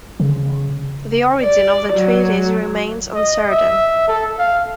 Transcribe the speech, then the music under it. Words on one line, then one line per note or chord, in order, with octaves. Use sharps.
The origin of the treatise remains uncertain.
C#3
D5
F#3
D#5
E5
A4
F5